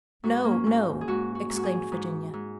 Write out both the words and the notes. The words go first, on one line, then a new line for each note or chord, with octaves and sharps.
"No, no!" exclaimed Virginia.
G#2 F#4
A#3
C#4
G#2
G#4
G#2 F#4
F#4
G#2
F#4
G#4
G#2
G#2